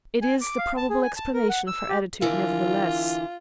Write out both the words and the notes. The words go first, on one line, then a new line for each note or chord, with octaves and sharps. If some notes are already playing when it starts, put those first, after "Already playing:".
"It is the probable explanation of her attitude, nevertheless."
G#5
D6
F5
A5
G#4
G#5
A5
A#4
F#5
E6
G4
D3 E3 F4 A#4